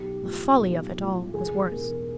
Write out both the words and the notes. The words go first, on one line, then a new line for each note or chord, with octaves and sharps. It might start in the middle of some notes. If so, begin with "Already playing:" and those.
The folly of it all was worse.
Already playing: B1 G4
A2 F3
B1
A2 F3
E1 G#4
E2 B2 A#4